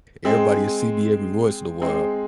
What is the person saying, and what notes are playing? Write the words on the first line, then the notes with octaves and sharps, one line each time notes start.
everybody will see me every once in a while.
G#3 C4
G#3 C4